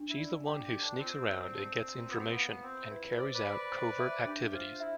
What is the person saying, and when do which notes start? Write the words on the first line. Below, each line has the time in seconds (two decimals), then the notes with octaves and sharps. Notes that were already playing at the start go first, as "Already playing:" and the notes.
She's the one who sneaks around and gets information, and carries out covert activities.
Already playing: D4
0.09 E4
0.18 D5
0.45 G4 G5
0.63 G4
0.72 A4
0.81 D4
0.99 C4 F4
1.26 D5
1.53 A5
1.81 A4
2.08 B3 F4
2.19 C4
2.30 B3
2.35 F5
2.62 C4 B5
2.90 E4 B4
3.17 C5 D5
3.34 B4 D5
3.44 B5
3.72 C5
3.99 E5
4.26 D4 G4
4.53 F4 C5
4.80 E4 E5